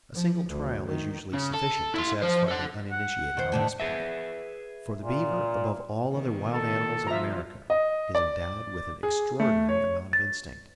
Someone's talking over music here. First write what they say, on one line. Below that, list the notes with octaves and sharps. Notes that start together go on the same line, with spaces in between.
A single trial is usually sufficient to satisfy the uninitiated on this point; for, the beaver, above all other wild animals of America is endowed with an extraordinary amount of instinct.
F3
D2
D#3
C#3
A4
E4 C6
F3 C5
A4 F#5
F#5
D#3 C5
A2 D3 D#3
G#4 B4 E5
A#2
B2 D#3 A#3
A4
F3 F4 E5 A#5
D#5
D5
G#4
A3
C#5
A6